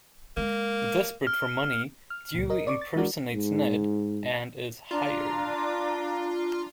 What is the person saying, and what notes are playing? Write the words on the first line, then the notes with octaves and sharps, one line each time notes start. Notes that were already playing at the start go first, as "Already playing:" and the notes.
Desperate for money, Dewey impersonates Ned and is hired.
G#3 A#3
F6
F6
C#2 A#2
A#4 D#5
D5 C#6 D6
A6
E3 G#3 D4 F#4 A#4 D5
G#2
D4 F4 D5 A#5